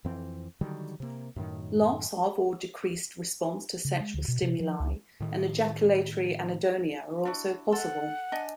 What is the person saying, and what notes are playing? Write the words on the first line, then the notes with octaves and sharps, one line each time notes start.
Loss of or decreased response to sexual stimuli and ejaculatory anhedonia are also possible.
F2 E3 C4
D3 D#3 F#3 G3
C3 A#3
F#2 A2 D#3
C#3
G#3
D2
B2
C3
F3
C#2
A2 D#3
D4 E4 F#4
A4 F#5
D4 D#5 G#5